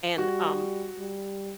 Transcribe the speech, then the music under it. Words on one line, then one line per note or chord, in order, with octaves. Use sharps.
and, um
G3 F#4
G3